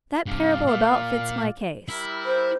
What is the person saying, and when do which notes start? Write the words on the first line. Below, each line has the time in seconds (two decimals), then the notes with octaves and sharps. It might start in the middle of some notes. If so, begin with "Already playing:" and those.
That parable about fits my case.
0.26 G2 C3 D5 F5
0.67 A#2
1.88 G3 E4 A#4 E5
2.25 C5